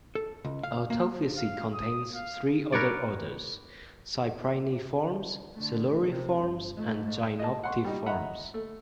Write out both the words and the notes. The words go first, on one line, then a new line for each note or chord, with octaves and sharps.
Otophysi contains three other orders, Cypriniformes, Siluriformes, and Gymnotiformes.
A4
C#2
F5
A#3
F5
D#6
F5
A#4 B4 C#5 D5
D3 A3
C3 C4
G1
G#2 A3
D#5 A5
F#5 C6 C#6
G3 D#4
D#5 E5 F#5 A#5 B5
A3